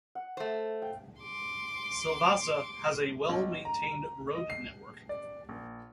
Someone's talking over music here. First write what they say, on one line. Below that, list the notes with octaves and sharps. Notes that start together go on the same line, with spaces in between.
Silvassa has a well-maintained road network.
F#5
A3 C5
F5 G5
C6 D6
B1
A#5
D#5
C7
D5
A#1